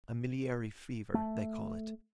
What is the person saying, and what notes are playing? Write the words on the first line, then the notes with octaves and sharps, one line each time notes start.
A miliary fever, they call it.
A3